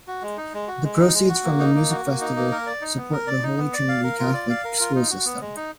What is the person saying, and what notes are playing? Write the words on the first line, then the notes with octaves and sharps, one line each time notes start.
The proceeds from the music festival support the Holy Trinity Catholic school system.
F#4
G#3
D#4
G#3
F#4
G#3
D#4
G#3
F#4
A#3
D#4
A#3
F#4
A#3
D#4
A#3
A#4
D5
D#4
B3
A#4
D5
D#4
B3
D5
F5
A#4
F4
D5
F5
A#4
F4
D#4
F#4
B3
G#3
D#4